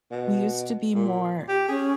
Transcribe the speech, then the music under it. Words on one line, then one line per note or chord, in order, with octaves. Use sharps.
We used to be more
B2
A#2
G4
C#4 G#4